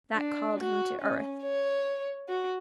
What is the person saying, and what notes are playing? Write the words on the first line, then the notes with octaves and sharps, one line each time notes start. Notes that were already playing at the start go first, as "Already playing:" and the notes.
That called him to earth.
D4
F#4
C#4
C#5
F#4